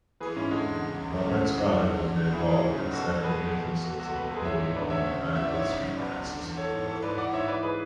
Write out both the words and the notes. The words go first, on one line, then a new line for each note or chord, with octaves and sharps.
Roberts father was involved in several businesses, including owning Hannibal's streetcar system.
E3 G#4 B4
G#2 C#4 E4
D3 G#3
E2
C#3
C#2
C#3 A3
D2 A3 C#4
E3
G#4
G#2 D4 F#4
C#3
C#2
D3
E2
E3 E4 G#4
G#2 E4 G#4
C#3
F#2
B2 F#4 A4
E2
B2 G#4 B4
E2
B2
E2
B2 F#4 A4
C#2 F#4 A4
B2 B4
A4
C#2 G#4 B4
E3 C#5 E5
G#2
D3 B4 D5
D2 C#5 E5
C#3
D2
E3 E5
D5
G#2 C#5 E5
C#3
F#2
B2 B4 D5
C#2
D3
E2
E3 A4 C#5
G#2
E3 A4 C#5
G#2 B4 D5
E3 D5 F#5
G#2 C#5 E5
E3 B4 D5
G#4 B4